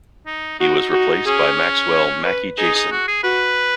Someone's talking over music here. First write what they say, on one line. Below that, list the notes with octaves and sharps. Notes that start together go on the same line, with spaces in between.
He was replaced by Maxwell "Mackie" Jayson.
D#4
D#4 F#4
D#4 F#4
C#4 G#4
C#5
B4
D#4 G#4
D#4
F#4
G#4
F#4 B4